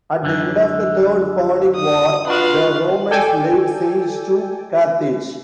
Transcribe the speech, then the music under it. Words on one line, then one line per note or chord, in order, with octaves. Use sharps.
At the end of the Third Punic War, the Romans laid siege to Carthage.
F#2 D3
D#6
D4 F4 F#4 B4 F5 C6
A4 D5 G5 G#5